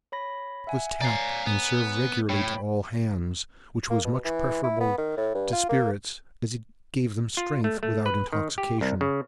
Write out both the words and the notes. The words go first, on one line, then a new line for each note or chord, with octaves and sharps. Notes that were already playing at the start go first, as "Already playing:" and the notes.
This was tapped, and served regularly to all hands, which was much preferable to spirits, as it gave them strength without intoxication.
C#5 B5 A#6
E5 F#5 G#5
C#5 D5 F5 G#5 A#5
B3
A2 C#5 G5 B5
A#3
B2
E3
E4
B3
D#3
A2
G2
F4
A#3
F4
A3
A3
B4
D#3
G4
C2
C#3